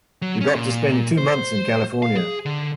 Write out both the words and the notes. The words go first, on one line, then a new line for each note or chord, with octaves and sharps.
We got to spend two months in California.
F#3
C#4
A#2
C5
F5
G#4
D3